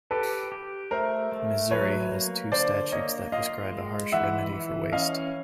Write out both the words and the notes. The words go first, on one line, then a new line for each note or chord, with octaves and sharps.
Missouri has two statutes that prescribe a harsh remedy for waste.
G4 A4 B4
G4
A3 A#4 C5
A3
F#3 B4 C#5
A#3
D3 C5 D5
A#3 C#5 D#5
F4 D#5 F5
G#3
E3 E5 F#5
E3
C#4 D#5 F5